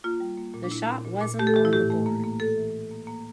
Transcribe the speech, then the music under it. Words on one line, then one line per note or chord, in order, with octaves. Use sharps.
The shot wasn't on the board.
A#3 F4
G3
A#3
A#2
D4
A#2 E4
A#2
A#2
A#2
A3 G4
A4
E3 G4
E4
A2 G4
A3
A#3
A#3
A#3 A4
E3
A#3
A#3
A#3